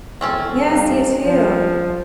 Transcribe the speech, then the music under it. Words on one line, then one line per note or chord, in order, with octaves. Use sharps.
Yes, you, too.
E1 C4 C#4 A4
G2
F3